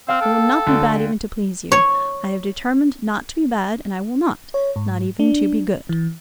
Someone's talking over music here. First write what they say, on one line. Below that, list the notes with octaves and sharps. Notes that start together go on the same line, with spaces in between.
I will not be bad even to please you; I have determined not to be bad and I will not--not even to be good.
C4 F5 G5 F6
A4
D2
C#5
C#5
G#2
D4
E3